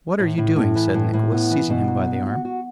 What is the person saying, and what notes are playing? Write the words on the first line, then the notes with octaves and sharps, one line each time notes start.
'What are you doing?' said Nicholas, seizing him by the arm.
A2
A2
A2
E3
A2
A2
B3
E3
B2
F#3
F#4
F#4
F#4